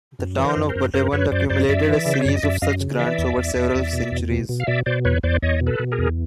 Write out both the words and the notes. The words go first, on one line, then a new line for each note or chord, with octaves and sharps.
The town of Buttevant accumulated a series of such grants over several centuries.
F#2
E3
A#4 C5
F#2
A#4 C5
F#2
F#2 A#4 C5
F#2 B4 C#5
F#2 C5 D5
F#2 C5 D5
F#2 D5 E5
E3
C#3
C5
C#5
F#2 D5
D#5
F#2 D5 E5
F#2 D#5 F5
C#3
E3 D5 E5
E2
E2
E2
E2
B2
E2
B2
B2
F5
B2 D5 E5
B2 C5 D5
E2 B4 C#5
E2 C5 D5
E2 C#5 D#5
B2
A4 B4
B2
G#4 A#4
E2